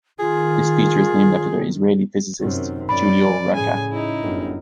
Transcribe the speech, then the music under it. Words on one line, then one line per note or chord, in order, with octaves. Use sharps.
This feature is named after the Israeli physicist Giulio Racah.
D#3 F4 G#4
F#2 C3 D#3
F#2 D5 B5
F3
A2 C#3 G#4 G#5
D#4 E4
G1 F#2